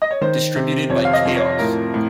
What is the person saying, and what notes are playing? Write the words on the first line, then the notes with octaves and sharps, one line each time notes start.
Distributed by Chaos!
D#5
C#5
D#3 C5
C3
F2 C#5
F5
D#5
F2
C#5
A2 A#4
A2